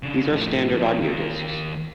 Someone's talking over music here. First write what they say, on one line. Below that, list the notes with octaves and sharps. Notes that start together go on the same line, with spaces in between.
These are standard audio discs.
C#3 D4
A2 F3
B2 F3
D#2 A#4